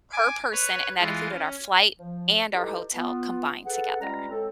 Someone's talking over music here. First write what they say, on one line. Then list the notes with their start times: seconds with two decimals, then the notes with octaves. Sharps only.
per person, and that included our flight and our hotel combined together.
0.13 G#5 D6
0.52 B4 C#5
0.99 E3 G#3 F4
1.30 C#4
1.99 F3
2.53 D#4 E4 G4 A4 B4
2.94 B3 F4
3.65 G#4 A4 B4 F#5
4.00 G3 G#3 C#4 F4 B4 A#5
4.30 F#3 G#3 C4 A4